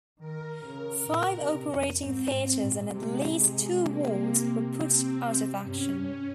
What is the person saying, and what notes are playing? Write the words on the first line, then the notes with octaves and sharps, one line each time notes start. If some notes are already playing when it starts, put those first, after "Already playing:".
Five operating theatres and at least two wards were put out of action.
D#3 A#4
C#3
A#2
C3
F2
G#2 C4
G#2
A#2
C3 G#3
C3 G#3
A#3
C4
G2 C#4
G2